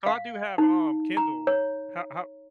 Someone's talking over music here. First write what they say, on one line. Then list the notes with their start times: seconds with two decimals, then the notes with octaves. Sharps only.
Oh, I do have, um, Kindle. How how
0.06 F5
0.58 D#4
1.17 A#5
1.47 C#5